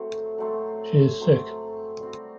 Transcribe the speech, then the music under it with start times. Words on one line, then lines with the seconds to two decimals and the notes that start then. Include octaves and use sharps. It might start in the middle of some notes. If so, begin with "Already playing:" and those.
She is sick.
Already playing: F#3 A3 C4
0.38 F#3 A3 C4
1.20 F#3 A3 C4
2.00 G3 C4 F#4